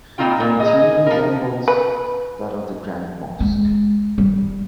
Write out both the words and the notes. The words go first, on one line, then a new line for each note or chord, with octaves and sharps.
The interior resembles that of the Grand Mosque.
A#2 A3 C4 D#4 F4 G5
A#2
G#4 D#5
F3 A#4
B4
G#3
G3